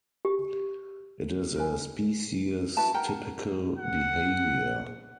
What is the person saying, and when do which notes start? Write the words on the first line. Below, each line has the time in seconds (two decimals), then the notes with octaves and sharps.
It is a species-typical behavior.
0.25 G4
1.56 A#4 B4 G#5
2.77 E4 F#4 B4 A5
2.94 A#4 F#5 G5 A#5
3.78 F#5